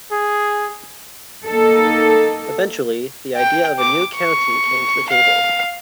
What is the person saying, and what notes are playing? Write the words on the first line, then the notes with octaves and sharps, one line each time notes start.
Eventually, the idea of a new county came to the table.
G#4
A#3 D#4 A4
G5
D6
C#6
F5